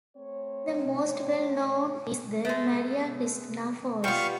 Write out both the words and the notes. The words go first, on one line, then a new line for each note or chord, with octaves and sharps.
The most well known is the Maria Cristina Falls.
A3 C4 C#5
G#3 A3 B3
G3 B3 F4 B4 F5 C#6